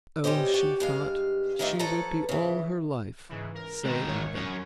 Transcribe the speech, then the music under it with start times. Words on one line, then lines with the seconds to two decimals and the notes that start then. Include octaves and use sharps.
Oh, she thought, she would be all her life saying them!
0.24 G3 C#4 G4 C5 D#5
0.54 F#4 G4 D5
0.80 G2 G#3 F5
1.59 D#3 E3 A3 D#4 F4 D5
1.79 F3 A4 B4 C#5 A5 A#5
2.29 C#3 E3
3.29 G#2 C#3 E3
3.55 A#4
3.85 G#2 D#3 C4
4.07 G#1 C#5
4.35 F#2 C#4 C#5